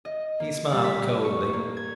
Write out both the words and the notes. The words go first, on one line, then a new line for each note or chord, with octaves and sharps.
He smiled coldly.
D#5
A#3
G3
B6
C#6
A#3
G#6